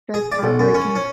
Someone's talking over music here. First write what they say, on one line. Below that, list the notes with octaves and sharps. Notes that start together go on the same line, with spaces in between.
That's heartbreaking.
G#4
D5
B1
F#2
C#4
C#4